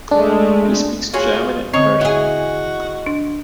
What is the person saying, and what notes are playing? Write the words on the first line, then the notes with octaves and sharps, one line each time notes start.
He speaks German and Persian.
G#3 A3 D4
F4 F#4 G#4 C#5
D3 C4 C#4 C#5 D#5
E4 F#4 G#4
D4